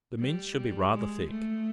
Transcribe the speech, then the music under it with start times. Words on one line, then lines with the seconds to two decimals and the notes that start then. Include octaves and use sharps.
The mince should be rather thick.
0.19 G3
0.56 G3
0.93 G#3
1.30 A3